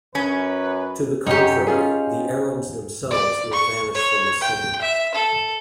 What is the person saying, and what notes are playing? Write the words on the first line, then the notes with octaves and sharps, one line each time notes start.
To the contrary, the Arabs themselves will vanish from the scene.
F#2 C#4 B4
F#2 C3 C#4 D#4 G4
C#4 F4 G#4
D5
C#6
C#5
G5
E5
A4